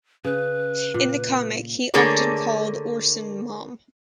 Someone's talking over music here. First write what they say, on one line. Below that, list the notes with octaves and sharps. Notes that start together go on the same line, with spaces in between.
In the comic, he often called Orson Mom.
C#3 B4
A#2
D3 A3 A#3 G#4 A#4 C#5